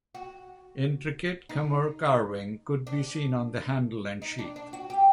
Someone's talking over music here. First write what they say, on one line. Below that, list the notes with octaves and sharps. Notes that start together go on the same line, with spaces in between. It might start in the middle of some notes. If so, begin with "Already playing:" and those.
Intricate Khmer carving could be seen on the handle and sheath.
F#4
D#4
D4
D#4
D4
D4
F#4
G4